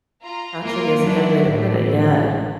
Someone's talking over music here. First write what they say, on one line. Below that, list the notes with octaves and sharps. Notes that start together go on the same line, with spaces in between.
Toxic is a good way to put it, yeah.
F4 A#5
A#3 F4 A#4
F#3 D4 E4
A1 A2